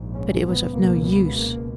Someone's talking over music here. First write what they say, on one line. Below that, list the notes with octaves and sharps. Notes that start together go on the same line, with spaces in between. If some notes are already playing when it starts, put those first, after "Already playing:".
But it was of no use.
Already playing: A#1 G#2
C#4
B3
C#2 B2 A#3
B3
A#3